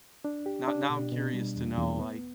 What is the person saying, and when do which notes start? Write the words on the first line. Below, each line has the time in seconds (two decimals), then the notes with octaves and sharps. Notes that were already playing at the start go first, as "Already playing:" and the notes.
now now I'm curious to know, like,
0.25 D4
0.46 G4
0.68 D4
0.90 B2
1.12 B2
1.33 G3
1.56 E2
1.77 E2
1.99 B3